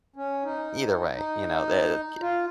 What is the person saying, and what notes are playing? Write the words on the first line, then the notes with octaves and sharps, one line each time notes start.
Either way, you know, the c
C#4
D#4
D#4
F4